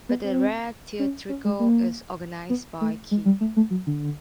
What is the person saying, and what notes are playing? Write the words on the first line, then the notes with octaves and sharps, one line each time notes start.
But "The Rare Theatrical" is organized by key.
B3
C4
C#4
C#4
G#3
A#3
B3
A3
G#3
G3
A3
A3
F#3
D3